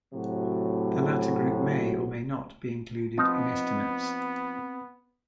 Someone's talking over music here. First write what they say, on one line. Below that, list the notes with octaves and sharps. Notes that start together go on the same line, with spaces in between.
The latter group may or may not be included in estimates.
A2 C3 F#3 F#4
F3 B3 C4 D#4